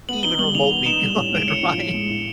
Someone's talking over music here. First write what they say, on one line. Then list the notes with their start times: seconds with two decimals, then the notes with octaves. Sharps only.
even remotely good, right?
0.09 B3 F#7
0.23 D#4 G7
0.39 G3 F#7
0.55 D#3 F7
0.71 B3
0.86 D#4 E7
1.01 G3
1.17 A2
1.32 G#3 D7
1.48 A2 C#7
1.63 F3
1.79 A2
1.94 G#3
2.10 A2